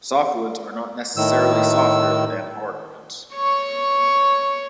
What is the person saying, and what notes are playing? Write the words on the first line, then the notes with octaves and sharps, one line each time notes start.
Softwoods are not necessarily softer than hardwoods.
A2 D#3 E6
C#5 C#6